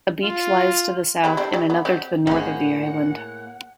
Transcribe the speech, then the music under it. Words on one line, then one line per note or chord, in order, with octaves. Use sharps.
A beach lies to the south, and another to the north of the island.
F4
G3 B3 E4
G3 C4 D4
G3
B3
C4 F#4 G4
A2 A#3 C4 D#4 G#4 F#5